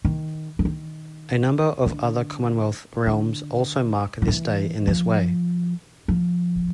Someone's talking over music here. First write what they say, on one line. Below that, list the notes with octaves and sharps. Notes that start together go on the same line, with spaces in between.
A number of other Commonwealth realms also mark this day in this way.
D#3
E3
D#3
D3
D3
F3
E3
F3
F3